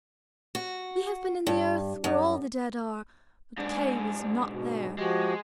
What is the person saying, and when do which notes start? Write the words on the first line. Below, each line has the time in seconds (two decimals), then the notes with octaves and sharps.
"We have been in the earth where all the dead are, but Kay was not there."
0.55 F#4
1.47 G2
2.04 F#2
3.58 G#2 D4
4.48 B2
4.98 F3 G#3 F#4 G4